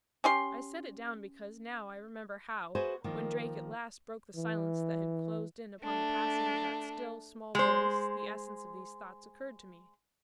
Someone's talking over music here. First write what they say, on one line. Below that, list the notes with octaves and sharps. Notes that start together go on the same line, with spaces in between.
I set it down because now I remember how, when Drake at last broke the silence that had closed in upon the passing of that still, small voice the essence of these thoughts occurred to me.
C#4 G4 C6
F#4 G#4 B4 C5 E5 G#5
D#3 F3 A#3
E3
A3 D4
G#3 C5